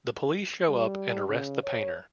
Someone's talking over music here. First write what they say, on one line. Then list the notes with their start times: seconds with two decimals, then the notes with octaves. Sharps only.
The police show up and arrest the painter.
0.69 G3
1.29 C#3
1.64 C#5